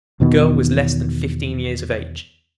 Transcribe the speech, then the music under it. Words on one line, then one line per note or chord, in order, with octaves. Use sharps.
The girl was less than fifteen years of age.
E2 B2 D#3 B3